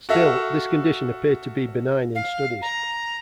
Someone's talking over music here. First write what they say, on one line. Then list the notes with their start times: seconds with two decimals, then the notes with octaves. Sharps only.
Still, this condition appeared to be benign in studies.
0.09 F#4 A4 E5 F5
2.15 F5
2.62 A#5